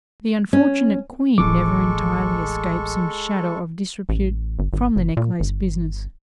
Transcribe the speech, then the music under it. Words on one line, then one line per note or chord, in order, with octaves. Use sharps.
The unfortunate Queen never entirely escaped some shadow of disrepute from the necklace business.
C#4
D1 A1 G#3 A4 C#6 D6
A1
G1
G#1
F#1
A#2
G1